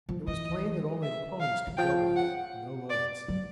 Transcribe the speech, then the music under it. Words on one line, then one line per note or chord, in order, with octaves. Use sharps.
It was plain that only the ponies could go by it--no loads.
F3
E3 D#5
E5
F5
E3
F3 G5
F#5
D5
F#3